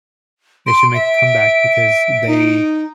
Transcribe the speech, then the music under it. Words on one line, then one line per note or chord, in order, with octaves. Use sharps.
they should make a comeback because they
C6 D7
E5
D#4